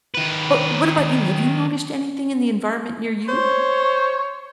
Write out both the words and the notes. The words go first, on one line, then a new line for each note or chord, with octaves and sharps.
But what about you? Have you noticed anything in the environment near you?
D#3 B4
C5 C#5